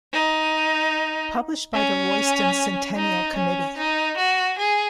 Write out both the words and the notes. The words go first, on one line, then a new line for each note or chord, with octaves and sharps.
Published by the Royston Centennial Committee.
D#4
C#4
D#4
C#4
D#4
F#4
G#4